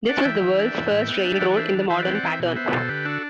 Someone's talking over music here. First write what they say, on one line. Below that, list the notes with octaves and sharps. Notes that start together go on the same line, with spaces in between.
This was the world's first railroad in the modern pattern.
D4 D5 F#5
E3 E5 G5
E3
D4
E3
A2
B3
D4
E3 D5 F#5
F#5
D4 C5 E5
E3
E3 C5 E5
C4 B4 D5
D5 F#5
E3 E5 G5
B2
B3 C5 E5
B2 A4 C5
D3 G4 B4
D4 F#4 A4